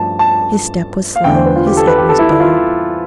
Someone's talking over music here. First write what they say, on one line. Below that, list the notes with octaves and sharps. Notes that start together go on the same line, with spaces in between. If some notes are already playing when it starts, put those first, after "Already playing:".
His step was slow, his head was bowed.
Already playing: G2 F3 A3 A5
A5
F5
E2 D3 A3 G5
C5
B4
F4
G4
A4
B4
G4
A4
E4
E4
F4